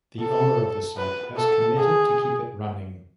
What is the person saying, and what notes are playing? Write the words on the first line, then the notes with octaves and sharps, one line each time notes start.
The owner of the site has committed to keep it running.
A4
B4
A4
G#4